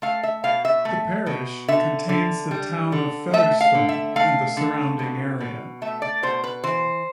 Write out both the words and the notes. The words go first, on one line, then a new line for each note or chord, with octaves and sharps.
The parish contains the town of Featherstone and the surrounding area.
A3 F5
E5
B2 F5
E5
A3
B2
D3 E5
D3
G3
D3
A3 E5
F5
D3
E5
A3 F5
D3
B2
B2
A3 E5
D5
B2 C5
B4
E3 C5